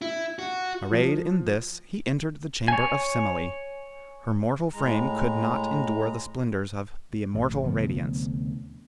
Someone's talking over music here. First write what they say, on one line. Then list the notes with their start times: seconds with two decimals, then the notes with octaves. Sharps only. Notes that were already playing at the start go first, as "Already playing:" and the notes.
Arrayed in this, he entered the chamber of Semele. Her mortal frame could not endure the splendors of the immortal radiance.
0.02 E4
0.39 F#4
0.91 F3
2.68 C#5 G#5
4.73 A2 G#3 A#5
7.35 A1
7.64 D2 C3 F3 B3